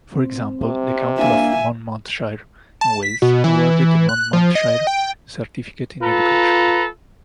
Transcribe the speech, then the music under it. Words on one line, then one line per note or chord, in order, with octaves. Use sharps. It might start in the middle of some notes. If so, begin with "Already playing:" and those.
For example, the county of Monmouthshire in Wales awarded the Monmouthshire Certificate in Education.
C4
C3
A#3 D4 E5 G#5
A5
B6
B2
E3
F#6
F3
D#5
G5
F4 A4 B4 A#5